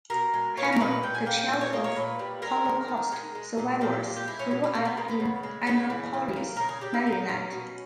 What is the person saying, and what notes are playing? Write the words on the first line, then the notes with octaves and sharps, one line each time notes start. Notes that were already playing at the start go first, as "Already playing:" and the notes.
Hammer, the child of Holocaust survivors, grew up in Annapolis, Maryland.
B2 A#4
G#3
A#3 C#5
B4
A#4
A#2 B4
A#2 G5
G#5
A#3 G5
G5
A#2
C#5
A#3 D#5
C#5
A#2 B4
G3
G#3 A#4
D#3
D#3
G#3
G#3
A#2
A#2 G4
G#3
G4
G#3 E4
C#4
B2 B3
B3
B2 A#3
B3
G#3 A#3
B3
C#3
G#3
C#3 B3
E3
C#3
A#3
C#3 A#4
G#4
G3 G4
E4
A#3 D#4
B2 C#4
B2